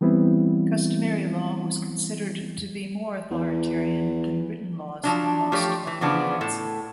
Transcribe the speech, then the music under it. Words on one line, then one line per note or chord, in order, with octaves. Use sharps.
Customary law was considered to be more authoritarian than written laws amongst Albanians.
E3 G3 B3 C4 E4
E2
F3 F#3 D4
F3 A3 G4 C#5 D5
E3
C#3 F3 B3 D4
A2 A4